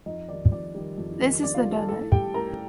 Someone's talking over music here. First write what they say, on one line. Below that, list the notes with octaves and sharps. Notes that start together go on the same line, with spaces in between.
This is the donut.
F2 D#4 D#5
D#3 G3 D5
F2 D5
D#3 G3
F2
D#3 G3
F2 D5
F4 F5
D#3 G3
A4 A5
A2 A4 A5
G3 G4 G5
A2 A#4 A#5